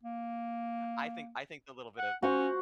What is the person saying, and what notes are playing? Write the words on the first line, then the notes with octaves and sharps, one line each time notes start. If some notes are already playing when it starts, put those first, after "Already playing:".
I think I think the little bit of
A#3
F#5
C#4 F#4 C5 F#5